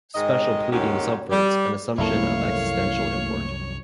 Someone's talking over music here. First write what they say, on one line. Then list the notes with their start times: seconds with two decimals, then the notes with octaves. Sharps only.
Special pleading subverts an assumption of existential import.
0.15 G#2 D#3 G#3 D#5
0.72 D#2 G#2 D#3 F#3 C#4 G4
1.31 G3
1.98 C2 F#2 F3 A3 A#3 E4 C#5 F5